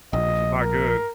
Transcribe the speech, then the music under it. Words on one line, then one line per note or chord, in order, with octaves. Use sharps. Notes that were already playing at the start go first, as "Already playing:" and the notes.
which is not good,
A#1 D#5
A#4